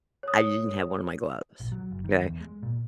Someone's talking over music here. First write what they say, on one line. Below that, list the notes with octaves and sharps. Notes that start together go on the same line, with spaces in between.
I didn't have one of my gloves. 'Kay?
C#5 D#6
A#1
F#3
F#1
D#3
E2
G#3
A#2